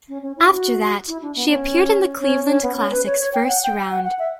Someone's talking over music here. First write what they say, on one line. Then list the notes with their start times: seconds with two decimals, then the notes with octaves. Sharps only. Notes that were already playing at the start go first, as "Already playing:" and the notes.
After that she appeared in the Cleveland Classic's first round.
0.09 C#4
0.22 C#4
0.37 E4
0.51 F#4
1.08 E4
1.22 D4
1.36 B3
1.50 C#4
2.20 C#4
2.49 C#4
2.63 B3
2.78 C#4
2.91 B4
3.06 C#5
3.20 C#5
3.34 G5
3.48 F#5
3.63 G5
3.91 F#5
4.05 F#5
4.19 E5